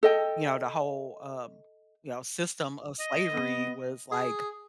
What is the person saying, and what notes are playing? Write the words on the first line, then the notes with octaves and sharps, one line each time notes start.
you know, the whole, um, you know, system of slavery was, like,
A4 D#5 G5
D#5
B3
G#4